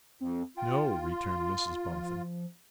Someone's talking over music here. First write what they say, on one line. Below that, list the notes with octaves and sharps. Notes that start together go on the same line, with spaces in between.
'No,' returned Mrs Boffin.
F2 C4
F4 G5
C6
F3